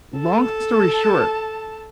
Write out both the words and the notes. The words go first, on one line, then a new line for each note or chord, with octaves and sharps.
long story short,
A4 A5